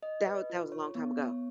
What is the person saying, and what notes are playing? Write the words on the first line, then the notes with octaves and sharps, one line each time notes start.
That wa that was a long time ago.
D#5
B4
F4
C#5
B3
C#5